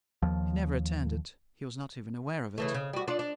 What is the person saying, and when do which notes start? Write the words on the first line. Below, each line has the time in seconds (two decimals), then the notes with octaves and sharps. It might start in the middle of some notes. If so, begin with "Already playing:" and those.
He never returned it--he was not even aware of it.
0.22 D#2 F3
2.58 C#3 E3 A3
2.74 C#3
2.93 G3 F#4
3.08 D4 F4 D5
3.19 D4